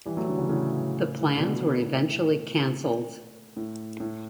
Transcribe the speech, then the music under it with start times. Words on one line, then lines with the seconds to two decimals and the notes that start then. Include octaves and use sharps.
The plans were eventually cancelled.
0.05 E3 G3
0.17 F#3 A3
0.28 D3 F#3
0.38 C#3 E3
0.49 A2 C#3
1.37 B2 D3
1.81 A2
3.57 A2
4.00 A2